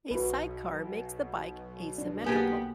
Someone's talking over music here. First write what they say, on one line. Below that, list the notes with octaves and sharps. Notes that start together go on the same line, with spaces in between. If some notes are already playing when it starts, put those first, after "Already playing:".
A sidecar makes the bike asymmetrical.
B1 B2 F#4 B4
D4
A#3 B3 G4 G#4 G#5 A5